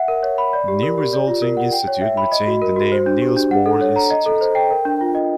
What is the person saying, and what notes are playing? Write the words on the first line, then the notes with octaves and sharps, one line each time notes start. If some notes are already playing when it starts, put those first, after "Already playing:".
The new resulting institute retained the name Niels Bohr Institute.
Already playing: E5 F#5
A#4
C#5
B5
D5
G4
A#4
G4
D5
F4
A#4
F#5
G5
C#5
E5
B5
D#5
F#4
A#4
F#4
C5
D4
G4
D4
F#5
A4
C#5
A#5
D#5
A4
C5
G5
A#4
D4
F4
D#5